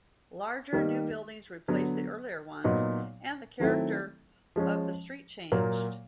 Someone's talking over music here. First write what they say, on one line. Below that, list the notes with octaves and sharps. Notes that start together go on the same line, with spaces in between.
Larger new buildings replaced the earlier ones, and the character of the street changed.
D#3 G3 A#3 D#4
D3 F#3 B3
A#2 F#3 B3 D#4
D#3 F#3 A3 C4 E4
F3 G#3 C#4
A#2 F#3 A#3